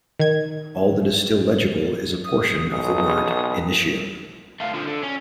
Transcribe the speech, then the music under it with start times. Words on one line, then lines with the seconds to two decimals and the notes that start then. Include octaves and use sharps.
All that is still legible is a portion of the word "Initium".
0.20 D#3 G#6
2.24 D#6
2.71 B1 D#6
4.60 A3 F4
4.74 D3 F3
4.88 D3
5.03 C#4